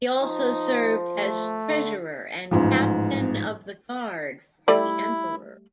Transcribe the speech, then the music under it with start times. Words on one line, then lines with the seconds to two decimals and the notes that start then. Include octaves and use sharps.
He also served as Treasurer and Captain of the Guard for the Emperor.
0.22 F3 D#4
1.17 A3
1.69 D3
2.51 A1 G#2 F3
4.68 G3 A3 E4 D5